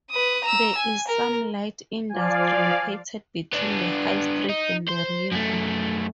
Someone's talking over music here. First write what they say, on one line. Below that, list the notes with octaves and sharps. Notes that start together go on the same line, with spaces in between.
There is some light industry located between the high street and the river.
B4 D#6
A#5 E6
G#5
A#4
F3 D5 F5 G#5
B3 D4
D#4
C5
F#2 A3